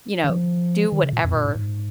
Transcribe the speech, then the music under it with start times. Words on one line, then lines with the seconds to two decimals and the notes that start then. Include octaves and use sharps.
you know, do whatever
0.24 D#3
0.30 F3
0.92 D#3
1.03 C#3
1.13 A#2
1.24 F2
1.35 A#2
1.45 G#2
1.55 G#2